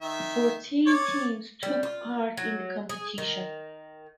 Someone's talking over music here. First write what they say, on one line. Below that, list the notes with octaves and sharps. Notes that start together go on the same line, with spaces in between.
Fourteen teams took part in the competition.
D#3 E5
C#5 D5
G3
F4
F#3
G#4
D#3